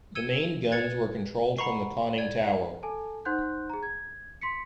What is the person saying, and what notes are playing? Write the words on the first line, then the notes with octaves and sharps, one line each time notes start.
The main guns were controlled from the conning tower.
E6 G#6 C#7 D#7 E7 G7
B4 G#6 A6 C#7
F#5 A#5 B5 C#6 C7
D5 G#6
A4 G#5 A5
D#4 C5 F#5 C6 F#6 G6
G#4 A#5
G#6
C6 B6 C#7